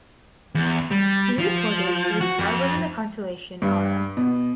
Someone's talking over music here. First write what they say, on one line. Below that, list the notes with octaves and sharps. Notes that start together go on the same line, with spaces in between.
He reported that the star was in the constellation Ara.
E2
G3
F3
F#4
F2
G2
B2